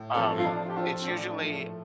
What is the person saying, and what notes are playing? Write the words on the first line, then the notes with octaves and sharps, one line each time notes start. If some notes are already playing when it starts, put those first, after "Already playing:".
um, it's usually,
Already playing: A2
F3 A3 C4 A4
F4
F3 D4
G4
D4 F4 A4 C5
C4
A2 D4
F3 A3